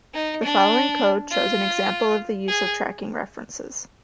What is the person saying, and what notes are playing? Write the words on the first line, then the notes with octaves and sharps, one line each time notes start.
The following code shows an example of the use of tracking references.
D#4
D4
F4
G#4